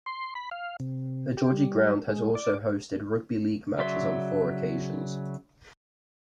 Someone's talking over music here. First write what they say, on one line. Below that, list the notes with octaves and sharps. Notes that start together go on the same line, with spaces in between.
The Gorgie ground has also hosted rugby league matches on four occasions.
C6
B5
F5
C3
G4
G3
G#3
D5
C#3 F#3 D5 E5 C6